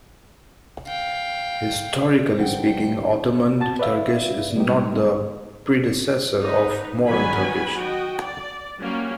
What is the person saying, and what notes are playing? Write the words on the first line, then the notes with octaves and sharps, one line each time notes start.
Historically speaking, Ottoman Turkish is not the predecessor of modern Turkish.
F5 G5
G2 D3 E3 F3 C5 F#5 G5
F#4 A5 A6
B4 D5 E5 F5
A2 G3 G#3 B3 D#4 G4
D#4 B4
D#3 F#3 B3 G#5 B5
F#4 D#5 G5
D5
F#3 G3 A#3 C#4